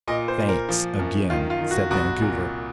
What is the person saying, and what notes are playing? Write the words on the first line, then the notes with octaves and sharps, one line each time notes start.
"Thanks, again," said Vancouver.
A#2 D#5
C5
A#2
A#4
F3
F#2
D#3 F4
F4
D#3
F#4
C2 F#4
A#2